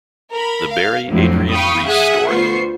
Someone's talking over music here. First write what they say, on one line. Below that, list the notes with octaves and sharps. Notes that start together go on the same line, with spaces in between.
The Barry Adrian Reese Story.
A#4 B5
F5
F2 A2 D3 F3 F#3 C4
F5 G5 B5 C#6 D#6
G#4 E5 F#5 G#5 D#6 F#6
D2 B3 F4 C5 C#6 C7